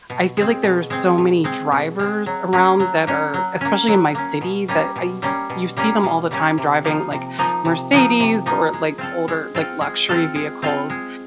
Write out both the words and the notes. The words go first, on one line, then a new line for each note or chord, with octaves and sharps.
I feel like there are so many drivers around that are especially in my city, that I you see them all the time driving, like, Mercedes, or, like, older, like, luxury vehicles,
B2
G#3 C4
B2
G#3 C4
B2
G#3 C4
B2
G#3 C4
F#3
A#3 C#4
F#3
A#3 C#4
F#3
A#3 C#4
F#3
A#3 C#4
B2
G3 A#3 C#4
B2
G3 A#3 C#4
B2
G3 A#3 C#4
B2
G3 A#3 C#4
C3
F3 A#3 D#4
C3
F3 A#3 D#4
C3
F3 A#3 D#4
C3
F3 A#3 D#4
G#3
C4 F4 A4
G#3
C4 F4 A4
G#3
C4 F4 A4
G#3
C4 F4 A4
G#3